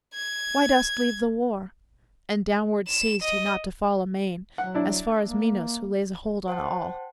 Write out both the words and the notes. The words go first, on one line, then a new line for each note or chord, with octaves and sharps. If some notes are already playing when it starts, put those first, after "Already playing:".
Why dost leave the war?' And downward ceased he not to fall amain As far as Minos, who lays hold on all.
G#6
E7
D#5
F#3 F#5
D4 E4
A#3
C5 F#5 G5 A5